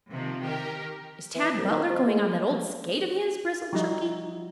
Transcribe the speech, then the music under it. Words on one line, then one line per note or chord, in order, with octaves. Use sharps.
"Is Tad Butler going on that old skate of his?" bristled Chunky.
C3 D#3 F3 A#3
D#3 G4 A#4
E3
C2
D#3
F3
G#3
F3 G3 D#4 E4 F#4